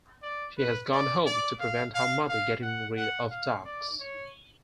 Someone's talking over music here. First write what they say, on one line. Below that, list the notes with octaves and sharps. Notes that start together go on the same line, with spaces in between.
She has gone home to prevent her mother getting rid of Daks.
D5
B4
D5
D5
F5
F5
F5
F#5
F#5
F5
D5
C#5